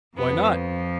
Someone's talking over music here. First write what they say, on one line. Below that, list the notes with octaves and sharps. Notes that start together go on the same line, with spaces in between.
"Why not?"
F2 F3 B3